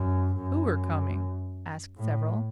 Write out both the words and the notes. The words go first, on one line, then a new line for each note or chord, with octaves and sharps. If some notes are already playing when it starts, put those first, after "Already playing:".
"Who are coming?" asked several.
Already playing: F#2
F#2
A2